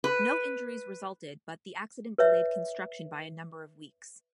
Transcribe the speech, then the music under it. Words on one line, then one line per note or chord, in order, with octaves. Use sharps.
No injuries resulted, but the accident delayed construction by a number of weeks.
B4
B4 C#5 E5